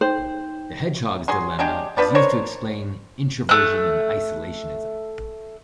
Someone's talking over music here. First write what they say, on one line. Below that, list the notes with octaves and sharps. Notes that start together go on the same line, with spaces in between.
The hedgehog's dilemma is used to explain introversion and isolationism.
D#4 C5 G5
F#3 G#4 C6
F#3 G#3 D4 G4
F3 D4 B4 D5
D4 A#4 C5 C#5
A3 F#6